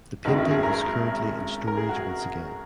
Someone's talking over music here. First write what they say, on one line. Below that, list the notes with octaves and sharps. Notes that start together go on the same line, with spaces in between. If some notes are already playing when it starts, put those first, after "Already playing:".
The painting is currently in storage once again.
G#1 F#2 D#3 G#3 D#4
E4
G#4
A#4
A#4
G#4
F#4